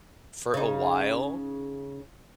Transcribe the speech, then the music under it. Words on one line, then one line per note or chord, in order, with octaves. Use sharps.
for a while,
C#3 D#4